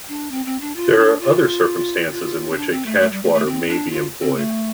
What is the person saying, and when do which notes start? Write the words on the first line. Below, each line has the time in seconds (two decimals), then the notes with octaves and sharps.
There are other circumstances in which a catchwater may be employed.
0.08 D4
0.31 C4
0.45 C4
0.61 D4
0.76 F4
0.99 D4
1.21 F4
2.11 F4
2.50 C4
2.56 D4
2.71 C4
2.86 A3
3.01 A3
3.12 G3
3.23 A3
3.34 A3
3.46 C4
3.68 D4
3.91 F4
4.21 C4
4.36 A3